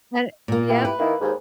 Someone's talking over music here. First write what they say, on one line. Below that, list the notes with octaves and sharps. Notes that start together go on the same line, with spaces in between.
and yep.
A#2 A#3
E4 G4
B4
D#3 A#3 E4
D#2 G#2